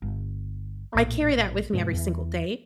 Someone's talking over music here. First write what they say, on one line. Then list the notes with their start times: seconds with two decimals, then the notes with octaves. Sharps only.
I carry that with me every single day,
0.02 G1
0.95 A#1 A2
1.73 G2 B2 G#3
1.93 E2 E3